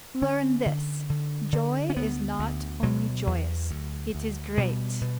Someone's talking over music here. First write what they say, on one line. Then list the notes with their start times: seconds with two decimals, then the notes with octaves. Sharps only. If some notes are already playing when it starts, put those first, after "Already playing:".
Learn this: joy is not only joyous; it is great.
0.22 D3 C#4
0.66 D3
1.10 D3
1.52 D3
1.90 C#4
1.96 D2 B3
2.39 D2
2.83 B2 F#3
3.27 E2
3.71 D2
4.15 D2
4.57 B2 G3
5.01 B2